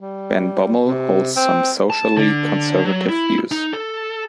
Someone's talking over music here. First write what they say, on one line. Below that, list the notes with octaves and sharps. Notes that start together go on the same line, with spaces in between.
Van Bommel holds some socially conservative views.
G3
C3
C4
A5
D3
F#3
E4
D#4
A4